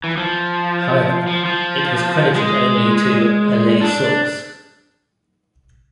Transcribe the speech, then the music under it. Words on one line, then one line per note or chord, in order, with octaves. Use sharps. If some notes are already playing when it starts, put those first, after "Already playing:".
However, it was credited only to a "lay source".
E3
F3
F3
F3
G#3
D4